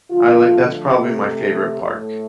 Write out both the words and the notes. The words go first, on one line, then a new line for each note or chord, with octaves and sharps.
I like that's probably my favorite park,
D3 F3 A3 F4
C3 A3
A2 A3 G4